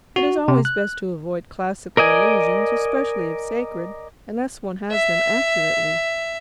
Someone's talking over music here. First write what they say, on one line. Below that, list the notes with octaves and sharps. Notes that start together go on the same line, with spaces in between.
It is always best to avoid classical allusions, especially if sacred, unless one has them accurately.
F#4
C3
F#6
A#4 D5 D#5 G#5
E5